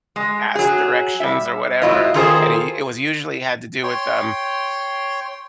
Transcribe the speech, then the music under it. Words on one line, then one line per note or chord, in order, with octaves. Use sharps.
a a ask directions or whatever, and i it was usually had to do with, um,
G#3
F#3 G#4
G3 E5
F#3 A3 E4 F4 C#5 D#5
D#3 F4 G#4 A4 C5
C#5 G5 C6